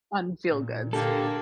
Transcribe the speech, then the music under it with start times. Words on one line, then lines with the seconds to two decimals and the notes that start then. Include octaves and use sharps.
on feel goods.
0.48 A#2
0.93 D3 A#3 G4 A4